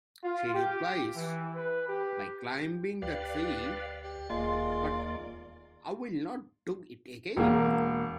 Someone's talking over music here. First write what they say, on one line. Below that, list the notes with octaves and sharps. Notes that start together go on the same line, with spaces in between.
She replies, "By climbing the tree, but I'll not do it again".
F4
G4
E3
B4
G4
D2 G4 B4 D5 F5
G4
D1 D#2 G#3 A#3 F4 D5
E1 A#3